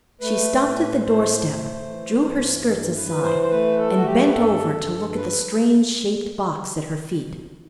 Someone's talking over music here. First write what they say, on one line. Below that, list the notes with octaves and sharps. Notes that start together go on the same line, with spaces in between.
She stopped at the doorstep, drew her skirts aside, and bent over to look at the strange-shaped box at her feet.
A3 B4
A2
A2 C5
A3
E3
G2
E3
B4
E3
C5
C5
A3 B4
A4
A3 F#4
G4
B4
G2 A4
G2
A4
B4